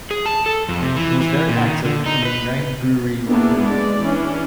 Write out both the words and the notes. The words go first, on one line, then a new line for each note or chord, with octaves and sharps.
He was very active in the United Brewery Worker Union.
G#4
A5
A4
F2
C3
E3
E3
A#2
D#3
D3
D#4
B4
A#3 B3 D4 E4 G#4
G#3 D5
E3 C#4 D4